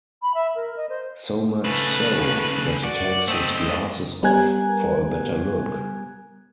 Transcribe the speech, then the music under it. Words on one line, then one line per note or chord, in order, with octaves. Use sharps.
So much so, that he takes his glasses off for a better look.
B5
E5
A#4
D#5
C5
C#3 A3 B4
F#4 D5
A3 C4 D#5
G3 B3 A#4 G#5 F#6 G#6